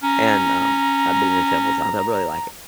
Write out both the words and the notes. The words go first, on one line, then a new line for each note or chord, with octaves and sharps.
and, um, I've been there several times, I really like it.
C#4 A#5